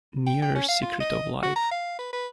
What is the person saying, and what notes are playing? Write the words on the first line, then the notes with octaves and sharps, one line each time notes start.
Nearer Secret of Life.
G5
G5
C#4
F5
F4
D#5
F#4
A#5
F5
B4
B4